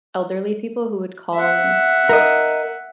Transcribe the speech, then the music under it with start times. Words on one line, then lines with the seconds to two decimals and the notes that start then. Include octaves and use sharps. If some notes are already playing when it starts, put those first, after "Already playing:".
elderly people who would call and
1.35 E5 F#5
2.09 A#4 D#5